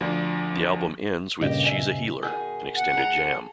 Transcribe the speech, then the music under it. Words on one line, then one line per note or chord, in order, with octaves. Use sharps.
The album ends with "She's a Healer", an extended jam.
D2 F3 D4
G2 A#2 C#3 G4 D#5
D#5 E5 G#5
B2 D#3 G#4 G#5
F#5
G#4 A4 A#5